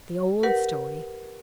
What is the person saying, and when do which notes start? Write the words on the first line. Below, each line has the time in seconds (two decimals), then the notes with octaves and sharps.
The old story.
0.43 G4 A#4 B4 F#5